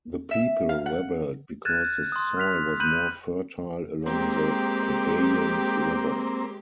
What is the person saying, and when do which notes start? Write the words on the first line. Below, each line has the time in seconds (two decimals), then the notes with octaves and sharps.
The people rebelled because the soil was more fertile along the Cagayan River.
0.31 E5
0.69 F5
0.86 F#5
1.65 F6 F#6 G#6 A6 D#7 E7
2.12 C6 D#6
2.37 F6 F#6 B6 F7
2.80 B5 F#6 G6 D#7 F#7
4.06 G#3 A#3 C4 G4 G5